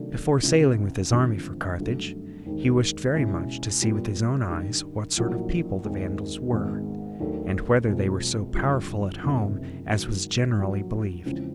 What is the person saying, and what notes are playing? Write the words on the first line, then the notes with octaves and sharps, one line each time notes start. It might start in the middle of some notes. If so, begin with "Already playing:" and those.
Before sailing with his army for Carthage he wished very much to see with his own eyes what sort of people the Vandals were and whether they were so powerful at home as was generally believed.
Already playing: C3 D#3 F#3 A3 D4
C#2 C3 E3
G#1 G2 D3 F3
G2 D#3 F#3 A3
D#2 D#3 G#3
C#2 B2 G#3 C#4 E4
A#2 G3 B3
G2 D#3 G3
A#1 A2 F#3 A#3 D4
D#2 D#3 G#3 C4
G#1 G#2 D#3 G#3 B3
D#2 D#3 F#3 A3 D4
B1 B2 G#3 C4 F4
F#1 F2 D3 G3
F#1 F2 C3 D#3
G#2 D#3 F#3
A#1 A#2 F#3
E2 C#3 F3 G#3 C4